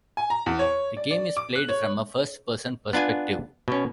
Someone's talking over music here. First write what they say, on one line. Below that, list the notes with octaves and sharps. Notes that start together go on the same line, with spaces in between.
The game is played from a first-person perspective.
G#5
A#5
E2
C#5
D5
D5
D6
F#6
C#5
B3 D4 F4 G#5
B2 C#4